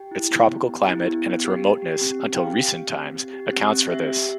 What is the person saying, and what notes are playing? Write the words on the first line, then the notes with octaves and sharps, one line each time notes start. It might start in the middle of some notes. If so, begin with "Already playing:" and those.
Its tropical climate and its remoteness until recent times accounts for this.
Already playing: G4 G5
E4
B3
B3
G4
E4
B3
B3
G4
G4
G4
C4
C4
G5
G4 F5
G4
C4
C4
G4
G4
C4
C4
G4 E5
G4